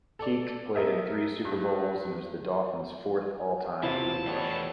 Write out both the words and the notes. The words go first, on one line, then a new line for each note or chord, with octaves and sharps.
Kiick played in three Super Bowls and is the Dolphins' fourth all-time leading rusher.
A4 D5
A4 A#4 D#5 E5
G2
C3 F3 F#3 E4 A5
E2 G3 A3 B3 C#5 E6